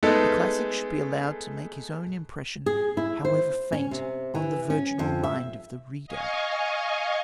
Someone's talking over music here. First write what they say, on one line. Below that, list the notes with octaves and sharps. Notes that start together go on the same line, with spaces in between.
The classic should be allowed to make his own impression, however faint, on the virginal mind of the reader.
G#3 A3 B3 D#4 G#4 A4
G#4
E4
C5
C#4
C3
E3
C#4
F2
E5
D#5 F5 G#5 C#6